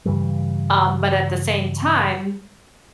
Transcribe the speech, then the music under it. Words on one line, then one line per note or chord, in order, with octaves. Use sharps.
um, but at the same time,
G2 C#3 E3 G3